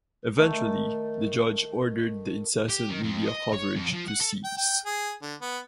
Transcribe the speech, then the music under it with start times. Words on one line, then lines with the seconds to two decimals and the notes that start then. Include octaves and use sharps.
Eventually, the judge ordered the incessant media coverage to cease.
0.37 D#3 A3
2.69 G4
2.90 D#3
3.04 F2
3.26 D#5
3.54 C#5
3.76 F2
3.93 F3
4.08 F#5
4.20 A4
4.44 G5
4.58 G5
4.85 G#4
5.22 D3
5.41 B3